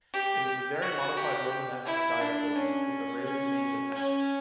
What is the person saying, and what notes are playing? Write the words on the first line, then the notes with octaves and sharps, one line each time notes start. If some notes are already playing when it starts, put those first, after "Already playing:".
It is a very modified Romanesque-style building, with a raised nave and apse.
G4
F#4
G4
E4
D4
C#4
C#4
C#4